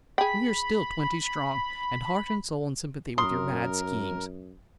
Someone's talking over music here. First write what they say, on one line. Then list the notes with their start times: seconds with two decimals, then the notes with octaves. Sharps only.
We are still twenty strong, and heart and soul in sympathy with your mad schemes.
0.18 G#4 G5 B5
3.18 F#2 A#4 C6 D#6